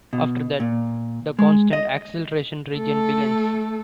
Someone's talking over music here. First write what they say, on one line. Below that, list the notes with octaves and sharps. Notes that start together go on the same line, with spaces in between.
After that, the constant acceleration region begins.
B2
A#2
G#3
D#5
A3 A4